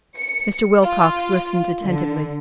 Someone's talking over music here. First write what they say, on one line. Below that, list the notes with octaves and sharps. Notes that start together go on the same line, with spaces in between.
Mr. Wilcox listened attentively.
C#7
F4
D3